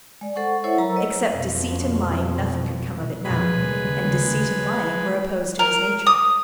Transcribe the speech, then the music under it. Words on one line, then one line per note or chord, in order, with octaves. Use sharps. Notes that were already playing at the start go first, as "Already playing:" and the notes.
Except deceit and lying nothing could come of it now; and deceit and lying were opposed to his nature.
G#3 D5
A4 C5 F#5 C#6
E4 A4 C5 C#5 E5 F#5
F#3 A4 A#4 A#5 E6
B4 C#5 D#5
F2 B2
F2 B2 F3 G#3 B4
D#2 C#3 G3
A#4
D#6